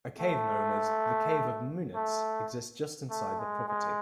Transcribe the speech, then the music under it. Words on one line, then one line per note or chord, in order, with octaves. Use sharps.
A cave known as "The Cave of Munits" exists just inside the property.
A3
A3
A3
G#3
G#3